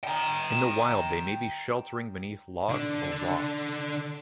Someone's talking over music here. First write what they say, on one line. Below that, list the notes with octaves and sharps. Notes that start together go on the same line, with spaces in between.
In the wild they may be sheltering beneath logs or rocks.
G5 A#5
D3 D4